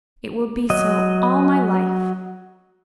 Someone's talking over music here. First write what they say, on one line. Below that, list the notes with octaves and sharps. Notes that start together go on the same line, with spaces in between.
It will be so all my life.
F#3 D#5